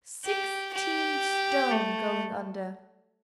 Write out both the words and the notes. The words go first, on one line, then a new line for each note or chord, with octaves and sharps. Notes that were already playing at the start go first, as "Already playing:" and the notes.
Sixteen stone going under.
G4
G4
A3